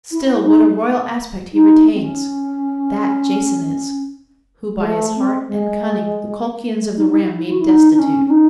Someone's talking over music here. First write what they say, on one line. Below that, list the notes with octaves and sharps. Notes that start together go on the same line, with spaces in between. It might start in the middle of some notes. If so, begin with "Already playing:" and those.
Still what a royal aspect he retains! That Jason is, who by his heart and cunning The Colchians of the Ram made destitute.
E4
D#4
D#4
C4
C#4
G#3
A3
C4
G#3
A3
D#4
D#4
E4
E4
F#4
E4
D#4
D#4
C#4
C#4
D#4